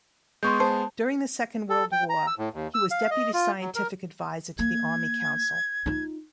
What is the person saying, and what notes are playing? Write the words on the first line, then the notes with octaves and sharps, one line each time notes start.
During the Second World War he was Deputy Scientific Advisor to the Army Council.
G#3 B3 C6 C#6 G6
C5 A5
A4
G5
A#5
E6
A2
D#2
E6
F5
D#5
F4
F#3
A#4
A#3 G#6
D#4 F4